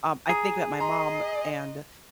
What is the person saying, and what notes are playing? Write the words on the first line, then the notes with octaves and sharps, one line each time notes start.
um, I think that my mom and
G#4 A#5 D#6
D#5 A#5 C6